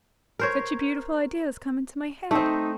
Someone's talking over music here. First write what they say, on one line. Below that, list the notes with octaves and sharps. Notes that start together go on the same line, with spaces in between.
Such a beautiful idea has come into my head!
A#4 C5 C#5
A3 C4 D#4